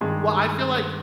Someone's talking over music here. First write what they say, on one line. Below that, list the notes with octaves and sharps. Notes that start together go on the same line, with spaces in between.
Well, I feel like
G2 D#3 G#3